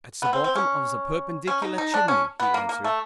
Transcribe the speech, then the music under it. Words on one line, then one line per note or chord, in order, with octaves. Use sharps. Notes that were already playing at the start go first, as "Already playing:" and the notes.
"At the bottom of the perpendicular chimney," he answered.
B3
C4
C4
C#4
C#4
D#4
D#4
D4
C#4
B3
A#3
A#3
A3